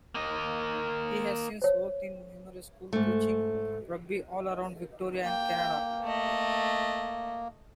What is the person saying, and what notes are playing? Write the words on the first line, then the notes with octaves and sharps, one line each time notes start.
He has since worked in numerous school coaching rugby all around Victoria and Canada.
A#3 D#5
C5 C#5
G#2 A3
A#3 G5
A3 D#5